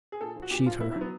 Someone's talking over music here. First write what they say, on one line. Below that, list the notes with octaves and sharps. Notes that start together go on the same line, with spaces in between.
Cheat her.
G#4
A#2 A4
F3
F#4
A#2 G4
F3 F4
B2 E4
E4
F#3
B3